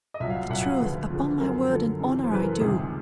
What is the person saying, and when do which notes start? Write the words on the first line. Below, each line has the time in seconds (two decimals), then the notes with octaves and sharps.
'The truth, upon my word and honour I do.
0.14 D#5
0.20 C2 A#2 F#3 E5
0.30 F5
0.50 C2 A#2 F#3 F#5
0.61 F#5
0.71 F5
0.80 D2 C#3 F3 B4
1.10 D2 C#3 F3
1.40 F#2 D3 F3 A#4
1.70 F#2 D3 F3 A4
2.00 F#2 C#3 E3
2.24 C5
2.30 F#2 C#3 E3 B4
2.43 A#4
2.52 A4
2.60 C#2 C3 D#3 G3 G#4